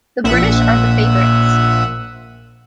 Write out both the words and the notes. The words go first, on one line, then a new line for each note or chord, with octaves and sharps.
The British are the favorites.
A#1 A#2 E5 F#5 D#7